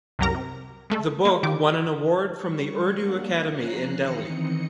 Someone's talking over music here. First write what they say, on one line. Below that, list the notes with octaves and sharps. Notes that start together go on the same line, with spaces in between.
The book won an award from the Urdu Academy in Delhi.
C2 F#2 F#3 G4 A#4 A#5
C3
G#3 A3 A4
G#3 A#3
D#3 F4 G4 D6
G3 C#6
A#3 D4 F#5
F3 C#4 A#5 F#6 C7
D#3 E3 C4 D#5 C#7